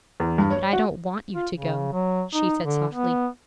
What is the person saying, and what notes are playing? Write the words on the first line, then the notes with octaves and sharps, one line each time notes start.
'But I don't want you to go,' she said softly.
E2
G2
C#5
F#4
F4
C#3
F#3
D#4
D3
B3